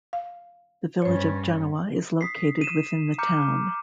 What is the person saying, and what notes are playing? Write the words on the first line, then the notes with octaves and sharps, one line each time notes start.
The Village of Genoa is located within the town.
F5
G2 C#4 C5 C#5
D#6 B6 C7
D#7 E7
A#5 D6 F6 G6 C#7